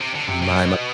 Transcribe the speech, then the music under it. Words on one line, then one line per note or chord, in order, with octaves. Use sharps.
My my
C3
D3
C3
B2